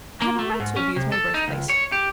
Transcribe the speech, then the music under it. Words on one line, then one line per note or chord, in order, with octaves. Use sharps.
I have a right to abuse my birth-place.
A#3
A3
G#2
C#4
C3
A4
D#4
C#2
C#5
G4